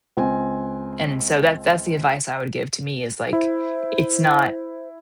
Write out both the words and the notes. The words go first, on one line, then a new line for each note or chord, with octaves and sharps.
and so that that's the advice I would give to me is, like, "It's not"
C#2 C4 G#5
E4 C5